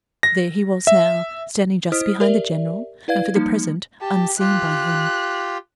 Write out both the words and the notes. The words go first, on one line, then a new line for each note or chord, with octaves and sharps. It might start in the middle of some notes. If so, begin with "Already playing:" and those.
There he was now, standing just behind the General, and for the present unseen by him.
A#6
E5
E4 C5 D#5 D#6 F6 B6
G4 A#4 D5 E5
E4 B4 D5 F5 G#6
F3 G3 A#3 D#4
G4 A5
F4 G4 F#6